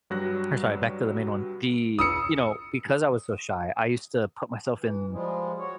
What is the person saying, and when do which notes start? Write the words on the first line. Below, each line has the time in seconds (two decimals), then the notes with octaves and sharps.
or, sorry, back to the main one. The you know, because I was so shy, I used to put myself in
0.10 G2 F#3 G3 F#6 A#6
1.99 D#6 E6 C#7
4.78 E3
5.11 F3 G3 G#3
5.59 F#4 C#5